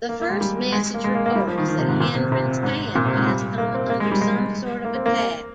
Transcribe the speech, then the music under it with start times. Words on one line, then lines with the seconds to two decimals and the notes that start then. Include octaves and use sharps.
The first message reports that Hendron's camp has come under some sort of attack.
0.09 A#3
0.20 A#3
0.30 G#3
0.41 G3
0.72 G#3
0.94 A#3
1.04 G#3
1.15 A#3
1.26 A#3
1.36 G3
1.47 F3
1.58 D#3
1.68 D#3
1.79 C3
1.88 G#2
2.00 A#2
2.15 C3
2.32 C3
2.63 G#2
2.95 A#2
3.06 C3
3.16 G#2
3.27 G3
3.58 A#3
3.74 C4
3.90 A#3
4.00 G#3
4.12 G3
4.21 G#3
4.85 A#3
4.95 C4
5.06 A#3